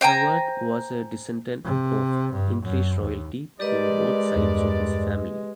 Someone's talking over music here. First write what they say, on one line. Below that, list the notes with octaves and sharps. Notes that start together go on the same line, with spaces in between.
Howard was a descendant of English royalty through both sides of his family.
C5 G5 G#5 A#5
C3
G2
F#2
D#2
G3 G#3 G4 A#4 B4 D5 D#5
E2 G2